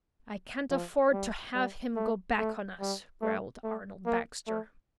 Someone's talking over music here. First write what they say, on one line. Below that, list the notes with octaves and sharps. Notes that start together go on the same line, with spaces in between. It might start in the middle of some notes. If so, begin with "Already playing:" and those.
"I can't afford to have him go back on us," growled Arnold Baxter.
F3
G3
G3
A3
A3
G3
A3
A3
A#3
A3